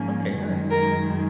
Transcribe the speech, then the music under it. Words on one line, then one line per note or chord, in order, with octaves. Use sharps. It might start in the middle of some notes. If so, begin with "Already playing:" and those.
Okay. Nice.
Already playing: G#2 F3 A#3 C#4
F#2 D#3 G#3
A#4